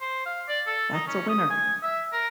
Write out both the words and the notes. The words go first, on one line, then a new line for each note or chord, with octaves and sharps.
That's a winner!
C5
F5
D5
A4
D#4
C#4
D#6
G#5
E5
A#4